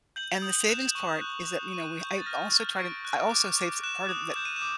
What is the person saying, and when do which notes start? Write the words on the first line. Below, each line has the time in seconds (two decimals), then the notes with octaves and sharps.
And the savings part is that, you know, we I also try to I also saves part of that
0.16 G6 F#7
0.42 D#6
0.61 F7
0.68 F#6 E7
0.95 C#6
1.21 F#6
1.48 D#6
1.73 C#6 D#7
2.00 G6
2.18 A6
2.26 F6 A#6
2.53 F6
2.78 C#6 D7
3.05 F#6
3.31 D6
3.58 D6
3.83 F#6 E7
4.09 D#6
4.36 G6 E7
4.45 D#7
4.56 E7
4.62 D6